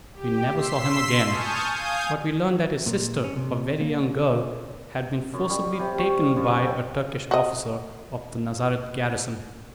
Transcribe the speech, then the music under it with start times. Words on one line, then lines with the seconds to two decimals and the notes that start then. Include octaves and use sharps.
We never saw him again, but we learned that his sister, a very young girl, had been forcibly taken by a Turkish officer of the Nazareth garrison.
0.13 G4
0.55 C6 E6 B6 C7
1.24 G#5 A5 C#6 D#6 F6 G6
1.72 F5 G#5 D#6 G6 G#6
2.86 A#2
3.24 C#4
3.36 C3
3.81 A#3
5.34 F#2
5.50 G3
5.79 C3
5.99 C#6
6.21 F5
6.36 F#2
6.62 G5
7.31 F#4 D#5